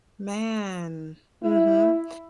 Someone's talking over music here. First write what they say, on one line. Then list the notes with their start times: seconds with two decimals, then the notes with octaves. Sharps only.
Man, mhm.
1.43 E4